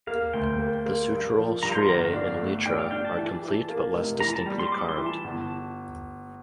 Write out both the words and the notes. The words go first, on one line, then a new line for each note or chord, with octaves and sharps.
The sutural striae in elytra are complete but less distinctly carved.
A#3 F5
D2 G5
A#3
A#3
G2
F3
G2 A#5
C6
G1 A#5
F5
D4
A3
D4 G5
F5
D4 G5
A5
E3
E3
A#3
F1
E3 A#5
A5
G3
C6
G3 D6
C6
E3
A5
G1